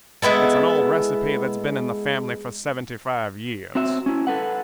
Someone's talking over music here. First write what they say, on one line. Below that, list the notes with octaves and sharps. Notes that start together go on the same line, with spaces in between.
It's an old recipe that's been in the family for seventy-five years.
G#3 B3 E4 A4
C4 F#4 E5
C#4 E4
A4 B4 F#5